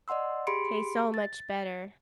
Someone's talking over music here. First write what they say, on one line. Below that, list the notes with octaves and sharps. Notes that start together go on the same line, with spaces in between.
Tastes so much better.
D5 D#5 F#5 C6 E6
G4 G#4 B5 C6 C#7 D7
A6